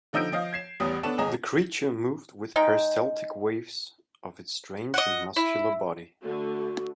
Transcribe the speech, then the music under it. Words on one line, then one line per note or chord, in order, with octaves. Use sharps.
The creature moved with peristaltic waves of its strange and muscular body.
D3 F3 D#4 E6 G6 D7
F3 D#5 F5
G#6 C7 E7
A1 E2 G3 B3 D#6
B3 D4 A4 C#5 E7
G1 G#4 D#5 A#5 E7
G#3 D#4 G5
D#5 F#5
E4
D3 A3 F#4